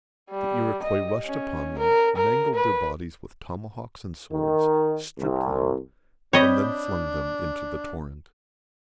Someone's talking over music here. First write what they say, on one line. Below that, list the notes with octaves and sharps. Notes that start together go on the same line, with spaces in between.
The Iroquois rushed upon them, mangled their bodies with tomahawks and swords, stripped them, and then flung them into the torrent.
G3
D#5
C#4
A#4
A#4
B4
D#3
C2
C4 D4 C#5 D#5 B5 G6